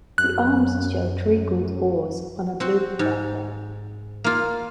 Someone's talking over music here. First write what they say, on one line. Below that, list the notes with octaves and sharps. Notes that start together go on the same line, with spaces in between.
The arms show three gold oars on a blue background.
F#2 F#6
C4 F#4
G#2
A#3 F4